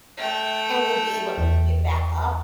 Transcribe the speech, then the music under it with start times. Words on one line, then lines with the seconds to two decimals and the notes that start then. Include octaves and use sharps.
and we'll be able to pick it back up.
0.17 A3 G5
1.38 E2